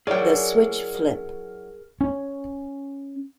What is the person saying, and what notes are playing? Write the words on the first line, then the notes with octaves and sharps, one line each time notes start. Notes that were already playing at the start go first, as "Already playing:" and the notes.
The switch flip.
F#3 C#4 E4 G#4 A#4 D5 G5
C#4